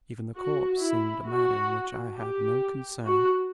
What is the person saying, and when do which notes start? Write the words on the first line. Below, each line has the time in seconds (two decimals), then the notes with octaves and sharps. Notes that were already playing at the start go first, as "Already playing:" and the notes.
Even the corpse seemed a matter in which I had no concern.
0.36 F#4
0.81 E4
1.27 F#4
2.16 G4
3.06 F#4